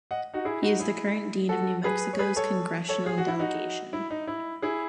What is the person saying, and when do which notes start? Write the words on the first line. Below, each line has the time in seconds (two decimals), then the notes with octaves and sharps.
He is the current dean of New Mexico's Congressional Delegation.
0.11 D#5 F#5
0.34 D#4 F#4
0.45 E4 G#4
0.63 D#4 F#4
0.80 E4 G#4
1.49 F#4 A4
1.84 G#4 B4
2.13 C#5
2.19 G#4 B4
2.36 A4 C#5
2.89 A4 C#5
3.06 G#4
3.18 F#4
3.28 E4
3.39 D#4 F#4
3.93 E4
4.10 D#4
4.27 E4
4.62 E4 G#4